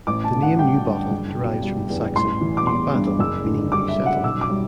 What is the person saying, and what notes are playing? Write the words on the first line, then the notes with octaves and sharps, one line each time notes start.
The name Newbottle derives from the Saxon 'New Battle' meaning 'new settlement'.
A1 D6
A5
D3
F#5
G3 G5
G2
F#1
B2
G3
E2
A1 C6
E3
D6
B3 C6
G2
F#1 E6
D3
G3 D6
E5
F#2
F#5
B1 E6
D6
G3